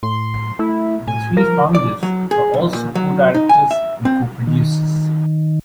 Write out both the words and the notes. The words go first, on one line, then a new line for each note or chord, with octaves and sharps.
The three founders are also co-directors and co-producers.
A2 C6
A3 E4
A2 G#5
F3 A#4
D5
F#3
G#4
B1
A#2
F#3
D#4
G#5
E5
C4
D#3